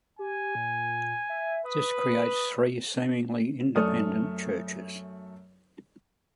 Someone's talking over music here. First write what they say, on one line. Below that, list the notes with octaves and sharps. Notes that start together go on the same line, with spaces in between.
This creates three seemingly independent churches.
G4 G#5
A#2
E5
B4 D#6
F#2 A3 A4 D5 D#6 F6